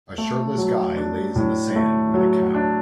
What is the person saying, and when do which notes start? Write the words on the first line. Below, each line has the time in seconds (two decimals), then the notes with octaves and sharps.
A shirtless guy lays in the sand with a cow.
0.18 A3
0.57 F#3
0.97 D4
1.36 A2
1.76 A3
2.14 F#3
2.54 D4